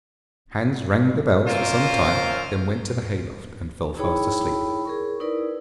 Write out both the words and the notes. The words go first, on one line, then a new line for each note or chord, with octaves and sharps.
Hans rang the bells for some time, then went to the hay-loft, and fell fast asleep.
A#3 C4 C#4 F4 A#4 C5
D#4 E4 G#4 C#5 G5 B5
G#4 A#4 C#6
D#4 E4 A#4 B4 D5